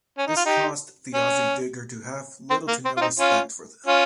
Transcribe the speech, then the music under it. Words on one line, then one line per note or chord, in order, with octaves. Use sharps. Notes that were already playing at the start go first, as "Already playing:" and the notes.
This caused the Aussie Digger to have little to no respect for them.
C#4
D#4
F4
D#4 G4
C#4
C4
A#3
C4
F4
C4 D#4
C#4 F4
C#4 F4